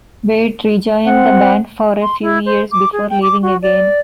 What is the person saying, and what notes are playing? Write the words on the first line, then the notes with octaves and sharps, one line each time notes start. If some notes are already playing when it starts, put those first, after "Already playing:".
Wade rejoined the band for a few years before leaving again.
C4 F#5
C6
E4
C5
D6
G#4
G5
D6
F#4
D5